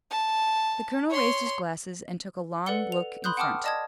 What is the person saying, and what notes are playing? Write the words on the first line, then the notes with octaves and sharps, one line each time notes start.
The colonel raised his glasses and took a long look in front.
A5
C#5 C6
A4 B4 D5 F#5 C#7 G7
F7
B5 C6 D#6 F#6 G6
F#5 G5 A5 D6 D#6 F6
D5 D#5 A5 D#6 G#6